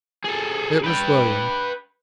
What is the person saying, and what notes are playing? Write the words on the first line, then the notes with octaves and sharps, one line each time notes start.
It was William.
G#4 A4
B4 G5